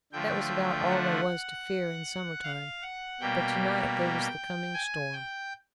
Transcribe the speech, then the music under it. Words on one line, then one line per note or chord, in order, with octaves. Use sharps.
That was about all there was to fear in summer time, but to-night there was the coming storm.
D3 F3 A3 G5
F#5
F5
F#5
B2 G3 A#3 G5
G#5
G5